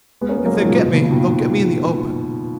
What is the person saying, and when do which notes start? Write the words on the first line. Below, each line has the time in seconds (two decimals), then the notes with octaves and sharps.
If they get me, they'll get me in the open.
0.21 G#3 B3
0.29 A#3 C#4
0.37 G#3 B3
0.45 F#3 A#3
0.53 F3 G#3
0.62 D#3 F#3
0.69 A#2
0.78 B2
0.86 A#2 C#3
0.94 B2
1.02 A#2 C#3
1.10 B2 D#3